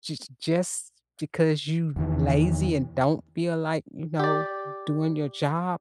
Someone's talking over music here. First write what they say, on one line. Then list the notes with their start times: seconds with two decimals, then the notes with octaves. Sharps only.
jus just because you lazy and don't feel like, you know, doing your job,
1.96 E2 D#3 E3
4.20 G4 D5